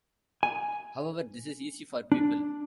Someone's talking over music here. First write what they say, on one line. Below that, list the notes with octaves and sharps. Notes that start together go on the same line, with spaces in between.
However, this is easy for people.
G#5
D4